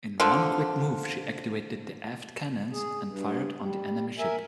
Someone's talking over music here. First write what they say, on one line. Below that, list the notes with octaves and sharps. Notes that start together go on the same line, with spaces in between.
In one quick move, she activated the aft cannons and fired on the enemy ship.
D3 F3
G#4
G2
G3
A#4 E5 G#5